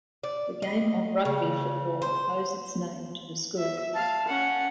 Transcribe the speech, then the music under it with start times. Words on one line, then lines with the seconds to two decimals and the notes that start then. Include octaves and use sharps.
The game of Rugby football owes its name to the school.
0.23 D5
0.62 D#5
1.25 C#3
2.02 C5
3.57 E5
3.94 F5 A5
4.28 C#4 F#5